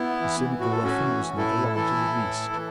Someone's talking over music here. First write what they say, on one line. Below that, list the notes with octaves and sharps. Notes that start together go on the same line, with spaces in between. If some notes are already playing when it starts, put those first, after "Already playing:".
The cynical ruffian was not alarmed in the least.
Already playing: B3 E4
E3
A2 F#4
A4
C#4 F#4
E3
A2 E4 A4
E3 E4 A4
A2
E3